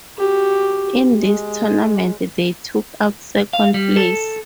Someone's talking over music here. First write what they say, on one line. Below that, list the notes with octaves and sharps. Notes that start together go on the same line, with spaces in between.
In this tournament they took out second place.
F#4 G4
G#3
F5
G3
A4